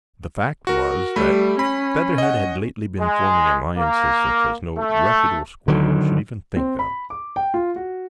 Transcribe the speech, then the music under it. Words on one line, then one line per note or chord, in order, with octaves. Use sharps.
The fact was that Featherhead had lately been forming alliances such as no reputable squirrel should even think of.
F#4 A#4
G3 A3 B5
C#4 B5
D#5 F#5
G#3
A#3
A3
D3 D#3 F#3
C4
B5
D6
G5
F4
F#4